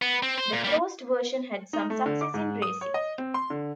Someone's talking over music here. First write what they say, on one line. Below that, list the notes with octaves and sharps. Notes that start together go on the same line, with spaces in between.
The closed version had some success in racing.
B3
C4
C5
A#2
G3 A#3
D#4
A3
D3
D6
G#2
D#6
C#5
D#5
C4
C6
D3